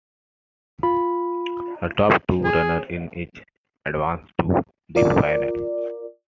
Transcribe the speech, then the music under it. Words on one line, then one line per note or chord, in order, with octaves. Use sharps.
The top two runners in each advanced to the final.
F4 B5
G#4
F4 A#4 D5